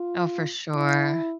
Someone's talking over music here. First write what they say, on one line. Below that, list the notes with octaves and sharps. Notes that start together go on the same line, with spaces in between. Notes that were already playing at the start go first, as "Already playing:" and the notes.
Oh, for sure.
Already playing: F4
E4